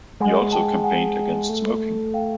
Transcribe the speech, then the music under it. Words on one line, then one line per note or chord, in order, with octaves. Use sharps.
He also campaigned against smoking.
G#3 F#5 G#5
G5 A5
F#5 G#5
A3
F5 G5